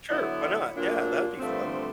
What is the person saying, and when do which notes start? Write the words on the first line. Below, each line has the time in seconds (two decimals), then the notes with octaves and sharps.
Sure, why not, yeah that would be fun.
0.10 D3 F#3 B3 E4
0.75 A#2 F#3 A#3 D4 F4
1.39 G2 D3 F3 A3 C4